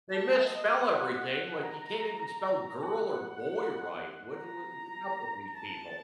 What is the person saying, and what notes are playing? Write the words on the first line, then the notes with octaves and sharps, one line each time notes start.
They misspell everything, like, you can't even spell "girl" or "boy" right, what do wha what's up with these people?
A5
D#5
F#5
F#5
A#5
A#5
F#5
A#5
A5